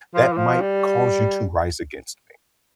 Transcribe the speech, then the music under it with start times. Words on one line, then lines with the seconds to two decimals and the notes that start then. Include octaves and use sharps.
that might cause you to rise against me.
0.14 F3
0.33 E3
0.37 F3
0.61 G3